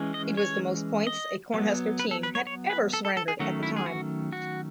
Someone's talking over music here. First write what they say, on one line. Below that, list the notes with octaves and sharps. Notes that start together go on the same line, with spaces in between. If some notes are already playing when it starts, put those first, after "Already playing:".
It was the most points a Cornhusker team had ever surrendered at the time.
Already playing: E3 G#3 C#4
D#5
C#5
D#5
F#3 B3
B4
A4
B4
C#5
C#5
B4
A4
A4
A4
G#4
D#3 F#3 A3 C#4 F#4
E4
G#4
F#4
F#4